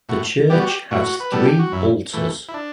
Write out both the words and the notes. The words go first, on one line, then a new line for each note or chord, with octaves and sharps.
The church has three altars.
A2 F#4
G3 B3 G4
F#4
G4
A2 F#4
B4
G3 B3 A4
G4
F#4
F#2 E4
E3 A3
E4
D4